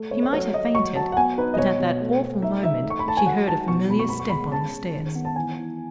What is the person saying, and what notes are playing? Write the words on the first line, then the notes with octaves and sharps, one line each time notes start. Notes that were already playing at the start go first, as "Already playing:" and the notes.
She might have fainted, but at that awful moment she heard a familiar step on the stairs.
Already playing: A3
A3 C#5
C#5
F#3 C#5
F#3 D#5
F#3 C#6
F#3 A5
F#5
B3 G#5
D#4 B4
D#5
B2 C#5
B2
A3
A3
D#4 E5
D#4 E5
A3
C#6
B5
A3 A5
G#5
F#3 F#5
D#4 A5
B2 C#6
B2 B5
C#6
B3 B5
C#6
G#3 B5
C#4 A5
G#3
D#3
B3
A5
E3 G#5
E3